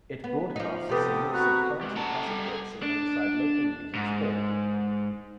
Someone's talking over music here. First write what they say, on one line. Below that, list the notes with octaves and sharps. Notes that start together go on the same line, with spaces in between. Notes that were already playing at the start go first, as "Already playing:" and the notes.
It broadcasts a mix of current and classic hits alongside local news and sport.
B3
F3 D#4
C3 B3 G4 A4 D6 D#6
F#4 A#5 B5 F#6
G#3 G4
C#4 A4 F#5 A5 A#5
G3
G#4
D4
G#2